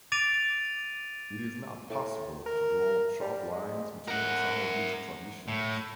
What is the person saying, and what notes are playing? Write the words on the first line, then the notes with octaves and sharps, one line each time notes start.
It is not possible to draw sharp lines between some of these traditions.
D6 A6 D7 D#7 F7
A2
A#4
G3
G#3
A#4 F#5
A2